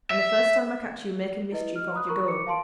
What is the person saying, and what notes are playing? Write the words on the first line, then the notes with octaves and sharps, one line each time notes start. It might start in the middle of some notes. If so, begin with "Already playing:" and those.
And the first time I catch you making mischief, off you go.
E5
E4 B4 D#5
F6
A#5 B5 D#6 F#6
A#4 A#5 B5 C#6
D6 C#7
F5 A5 C6 D7